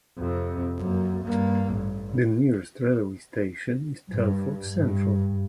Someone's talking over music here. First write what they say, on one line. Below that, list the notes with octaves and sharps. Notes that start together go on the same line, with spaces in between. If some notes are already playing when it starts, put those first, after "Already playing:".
The nearest railway station is Telford Central.
F2 C3
F#2 A#3
G2 A#3
A1 G2
G2
G2